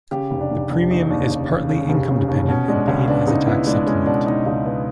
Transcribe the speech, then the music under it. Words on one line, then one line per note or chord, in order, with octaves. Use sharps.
The premium is partly income-dependent and paid as a tax supplement.
C#3 G4
F1
D4
F1
F1 D4
D#2 D#4
D#2 D4
C#3
C#3
C#3
F1
C#3
D#2
B2 C#4
G#3 D4
C#2 C#4
B3 D4
C#2 D#4
B3 E4
G#3 D4
G#3 C#4
B2 D4
B2 D#4
C#2 D#4
B3